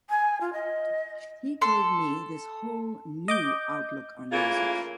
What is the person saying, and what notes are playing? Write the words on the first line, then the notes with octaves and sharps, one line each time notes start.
He gave me this whole new outlook on music.
G#5
F4
D#5
A4 C6
D#5 D6 G6
C#3 E3 A3 A#3 F4 G#4